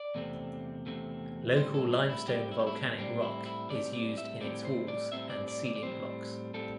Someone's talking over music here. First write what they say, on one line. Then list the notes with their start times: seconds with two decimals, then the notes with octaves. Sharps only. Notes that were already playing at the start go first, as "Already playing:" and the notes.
Local limestone volcanic rock is used in its walls and ceiling blocks.
Already playing: D5
0.15 E2 C3 A3 C4
0.86 E2 C3 A3 C4
1.56 A2 G3 C4 C5
1.74 A4
1.92 D4
2.09 E4
2.28 A2 G3 C4 G4
2.51 E4
2.59 G4
2.67 E4
2.75 D4
2.98 A2 G3 C4 D4
3.22 E4
3.46 E4
3.70 A2 G3 C4 D5
3.93 D5
4.18 E5
4.40 A2 G3 C4 D5
4.65 C5
4.88 D5
5.12 A2 G3 C4 E5
5.30 D5
5.48 D5
5.66 D5
5.76 D5
5.83 A2 G3 C4 C5
6.54 A2 G3 C4 A4